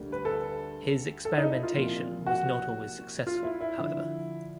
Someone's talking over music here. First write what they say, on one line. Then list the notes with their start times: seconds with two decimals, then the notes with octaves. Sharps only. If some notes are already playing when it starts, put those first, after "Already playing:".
His experimentation was not always successful however.
Already playing: D2 D3 G3 A#3
0.12 B4
0.25 A4
1.25 A4
1.38 D#4
1.50 E4
1.63 F4
1.76 C2 A#2 F3
2.27 F#4
3.27 F4
3.43 E4
3.61 E4
3.77 D3 F3